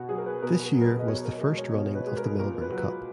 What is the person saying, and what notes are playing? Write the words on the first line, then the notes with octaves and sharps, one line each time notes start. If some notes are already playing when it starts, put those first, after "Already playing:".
This year was the first running of the Melbourne Cup.
Already playing: B2 F#4
F#3 G#4
A#4
B4
B2 A#4
A#4
F#3
A#4
B4
D#5
B2 C#5
A#4
G#3 D#5
C#5
B2 C#5
B4
G#3
A#4
A#2 A#4
B4
F#3